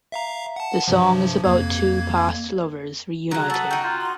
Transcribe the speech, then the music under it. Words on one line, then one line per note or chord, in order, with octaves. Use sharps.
The song is about two past lovers reuniting.
E5 F5 A#5
F#5 A5
G2 C3 F3
F2 A#3 G#6
C#3 F#3 A#5
B3 F#4 A4
D#4 F#4 G5
F4
C6